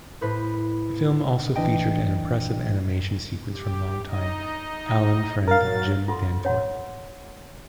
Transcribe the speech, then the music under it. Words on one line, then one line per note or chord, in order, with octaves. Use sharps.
The film also featured an impressive animation sequence from long-time Allen friend Jim Danforth.
A2 B4 C5
A1 E3 D4 D#5 G5
G4
D#4 D#5
F#3 A#4 F5 A6
F4 A4 F#5 C6
C#5 F#5 C6